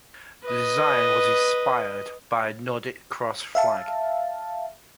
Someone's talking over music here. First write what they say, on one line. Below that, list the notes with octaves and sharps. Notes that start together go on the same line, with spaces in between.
The design was inspired by the Nordic Cross flag.
B4 D#5
E5 F5 A5